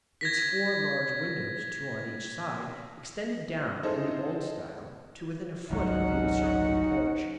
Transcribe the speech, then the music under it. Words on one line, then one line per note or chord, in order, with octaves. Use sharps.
Its four large windows, two on each side, extended down, in the old style, to within a foot of the encircling porch.
G#6 A#6 B6
D#4 E4 G#4 A4 C5 D#5
G#1 C#2 F#3 C#4 D#4 F#4 F#5